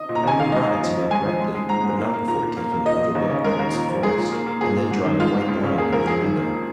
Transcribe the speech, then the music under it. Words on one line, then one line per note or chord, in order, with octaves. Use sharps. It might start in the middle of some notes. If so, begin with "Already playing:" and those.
The woman brought it to me directly, but not before taking another look towards the forest, and then drawing a white blind over the window.
Already playing: D#5
A#2
A#5
D#2 G#5
D#3 F5
G#3 D#5
D#2
F2
F3
G#3 G#5
F2
G#3
G#3
G#2 A#5
G#2
A#3
A#3
A#2 A#5
A#2
A#3
A#3
A#2 D#5
A#2
D#2
C#3
G#3 A#4
D#2
A#2
F3
G#3 G#4
A#2
A#3
A#3
A#2 G#4
A#2
G#2
D#3
G#3 F4
G#2
C#2
C#3
A#3 G#4
C#2 A#4
F2 G#4
D#3
A#3